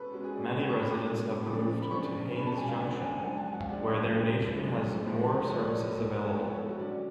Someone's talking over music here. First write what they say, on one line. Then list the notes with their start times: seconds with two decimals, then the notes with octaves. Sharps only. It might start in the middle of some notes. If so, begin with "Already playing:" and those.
Many residents have moved to Haines Junction, where their nation has more services available.
Already playing: B2 G#3 C#4 A4 B4
0.13 B2 G#3 C#4 F#4
0.24 G#4
0.36 D5
0.46 F#5
0.58 B2 G#3 C#4
0.69 C#6
0.80 B5
0.91 D6
1.02 B2 G#3 C#4
1.46 C#3 F3 B3 D4 D6
1.82 B5
1.90 C#3 F3 B3 D4 C#6
2.35 C#3 F3 B3 D4 B5
2.47 A5
2.58 G#5
2.69 F5
2.80 C#3 F3 B3 D4 F#5
3.02 G#5
3.20 G#5
3.24 F#2 F3 G#3 D4 F#5
3.37 A5
3.46 G#5
3.53 F#5
3.61 F5
3.68 F#2 F3 G#3 D4 D5
4.13 F#2 F3 G#3 D4
4.58 F#2 F3 G#3 D4
5.02 A2 F3 G#3 B3
5.46 A2 F3 G#3 B3 C#5
5.58 D5
5.70 C#5
5.90 A2 F3 G#3 B3 A4
6.13 B4
6.27 C#5
6.35 A2 F3 G#3 B3 B4
6.46 C#5
6.57 A4
6.69 F#4
6.79 D3 F#3 C#4 D5